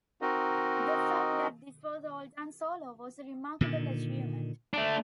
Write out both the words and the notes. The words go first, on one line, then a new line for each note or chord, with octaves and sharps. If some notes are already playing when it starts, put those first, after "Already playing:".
The fact that this was all done solo was "a remarkable achievement".
C4 D#4 F#4 A#4 D#5
A#2 D3 D#3
A3 D4